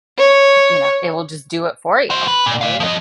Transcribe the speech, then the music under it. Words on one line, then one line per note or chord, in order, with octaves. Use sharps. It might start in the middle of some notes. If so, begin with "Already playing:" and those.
you know, it will just do it for you, right?
C#5
F#4 C5
B4
A#2
D5 F5
F3 D#5